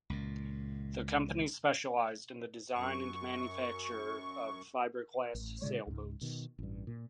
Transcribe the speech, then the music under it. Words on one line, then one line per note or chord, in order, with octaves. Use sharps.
The company specialized in the design and manufacture of fibreglass sailboats.
C#2 A#2
F#2 C#6
A1
A#2 C#3 G#3
C#2 G#2
B2 D#3
A1 G2
A#2